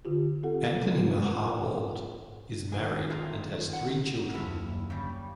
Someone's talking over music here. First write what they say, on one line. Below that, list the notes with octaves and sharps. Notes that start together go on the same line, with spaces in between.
Anthony Mahowald is married and has three children.
D3 F4 G4
C4 G4 A4 F#5
F4
A#4 F#5
G#2
D#3 G#4 G#5
A3 F4 G#4
F#5
F#1 D#2 F3 C#4 E4
C#3 G3